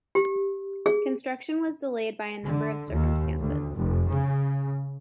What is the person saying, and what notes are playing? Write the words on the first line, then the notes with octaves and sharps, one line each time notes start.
Construction was delayed by a number of circumstances.
G4
G#4
D3
D#2
D2
F1
C#3